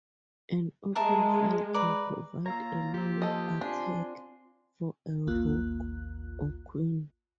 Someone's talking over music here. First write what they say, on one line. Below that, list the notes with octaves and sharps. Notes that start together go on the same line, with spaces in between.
An open file can provide a line of attack for a rook or queen.
G#3 A#4 E5 A5
B4 D5 A#5
A#3 F4 C#5 F5 A#5 E6
F3 G4 E6
A4 D#5
C4 D4 F4 G#5 C6
A1 D#2 A#3 F4 F#6